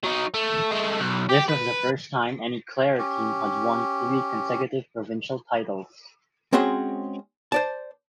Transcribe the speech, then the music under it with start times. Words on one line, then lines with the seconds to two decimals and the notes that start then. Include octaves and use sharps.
This was the first time any Clare team had won three consecutive provincial titles.
0.04 F#3 D#4
0.34 A3
0.71 G#3 A3
1.00 B1
1.30 G4
1.49 B4
2.98 C#4 G4
6.53 G#3 C4 C#4 F#4 G#4 C6
7.52 C5 D5 A5